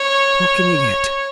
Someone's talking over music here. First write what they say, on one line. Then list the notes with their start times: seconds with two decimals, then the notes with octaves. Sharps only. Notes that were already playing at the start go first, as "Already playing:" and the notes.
"What can you get?"
Already playing: C#5